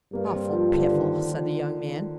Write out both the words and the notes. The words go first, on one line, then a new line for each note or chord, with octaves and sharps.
"Awful piffle," said the young man.
G2 A#3
C4
F3
D3
D#3
F3